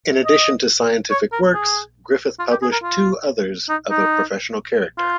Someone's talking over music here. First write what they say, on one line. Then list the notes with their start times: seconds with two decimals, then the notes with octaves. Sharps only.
In addition to scientific works, Griffith published two others of a professional character.
0.25 D#5
1.11 C#5
1.32 A#4
1.54 G#4
2.39 F4
2.51 G4
2.62 G#4
2.72 A#4
2.83 F4
3.69 D#4
3.90 D#4
4.98 F4